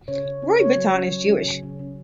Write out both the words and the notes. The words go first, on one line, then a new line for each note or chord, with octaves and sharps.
Roy Bittan is Jewish.
C#3 C#5
C#3
C#4
C#3 C#5
F#3
C#4
F#3
C#4
C#3
C#3
C#3